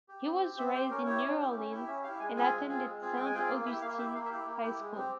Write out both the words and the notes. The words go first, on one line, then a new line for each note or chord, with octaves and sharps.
He was raised in New Orleans and attended Saint Augustine High School.
G4
C4
G4
C4 E5
G4 C5
C#4 A#4
E4 G4 C#5
C#4
E4 G4
C#4
E4 G4
C#4 E5
E4 G4 F5
G#3 G#5
C4 F4 G#4 G#5
G#3
C4 F4 G#4
G#3
C4 F4 G#4
G#3 G5
G#5
C4 F4 G#4 G5
A#3 F5
E4 G4 E5
A#3 F5
E4 G4 E5
A#3 F5
E5
E4 G4
A#3
E4 G4
G#3
C4 G4